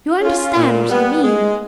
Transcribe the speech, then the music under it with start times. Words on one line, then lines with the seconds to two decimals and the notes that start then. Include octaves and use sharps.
You understand what I mean.
0.22 C#4 F4
0.56 A#2
0.89 G3 B3
1.24 G#3